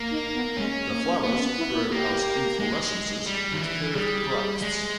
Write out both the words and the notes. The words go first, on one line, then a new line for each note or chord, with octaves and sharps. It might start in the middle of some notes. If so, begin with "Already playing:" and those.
The flowers grow as inflorescences with curved bracts.
Already playing: A#3
D#4
B3
G#3 C#4
A#3
A#3 B3
C#4
E4
E4
A#3 G4
G#3
G3
D#3
E3
G3 G#4
G#3